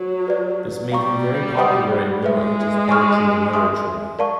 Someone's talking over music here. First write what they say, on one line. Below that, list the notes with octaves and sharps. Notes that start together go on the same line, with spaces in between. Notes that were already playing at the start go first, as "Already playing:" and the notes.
This made him very popular in Middle Ages poetry and literature.
Already playing: F#3
G4 B4 D5
G3 F5 A#5 C#6
B4 D#5 F#5 B5 D#6
G#3 G#4 B4 E5
D#5 G#5 C#6 F6
E5 G#5 C6 D#6
A#4 D5 F5 A5 C#6